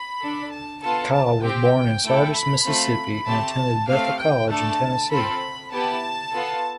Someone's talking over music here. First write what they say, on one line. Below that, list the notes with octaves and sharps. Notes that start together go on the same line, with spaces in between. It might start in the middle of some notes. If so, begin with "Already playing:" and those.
Kyle was born in Sardis, Mississippi and attended Bethel College in Tennessee.
Already playing: B5
D4 A4
A5
B3 F4 A4 A5
A5
C4 G4 G5
A3 E4 A4
B5
A3 C4 F4 A4
A3 C4 G4 A5
A3 C4 G4 F5
G5
A3 D4 A4 A5
C4 F4 A4 B5
B3 E4 G4 A5
B3 F4 A4